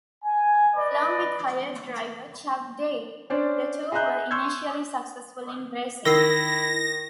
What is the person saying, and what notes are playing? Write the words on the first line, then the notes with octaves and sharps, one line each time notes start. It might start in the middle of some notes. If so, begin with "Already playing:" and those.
Along with hired driver Chuck Daigh, the two were initially successful in racing.
G#5
B4 D5 D#5
C#4 D4 C5 D5
G#4 D#5 E5 A#5 F#6 G6
C6 C#6 E6 G6 G#6
D#3 E4 A#4 E6 A#6 C7